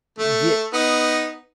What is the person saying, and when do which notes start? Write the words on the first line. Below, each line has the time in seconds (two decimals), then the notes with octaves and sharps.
Y yeah Eh
0.18 A3
0.73 B3 D#4